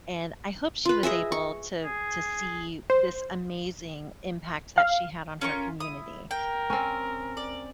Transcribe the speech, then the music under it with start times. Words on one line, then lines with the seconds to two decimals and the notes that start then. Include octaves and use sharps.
and, I hope she was able to to see this amazing impact that she had on her community.
0.85 F4 B4
1.03 G#4 D#5 E5 G#5
1.32 C#6
1.84 G#4
2.90 C5
4.78 F5
5.41 C#4 F4 A#4 C#6
5.80 E4 D#6
6.31 A#4 G5
6.70 C4 C#4
7.37 D5